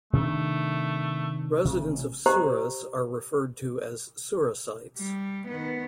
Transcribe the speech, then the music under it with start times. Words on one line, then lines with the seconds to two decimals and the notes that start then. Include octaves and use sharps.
Residents of Souris are referred to as Sourisites.
0.13 C3 D#3 A3 D4
1.64 A1 C3
2.26 G4 C5 D#5 A#5
4.98 G3
5.48 D#3 B3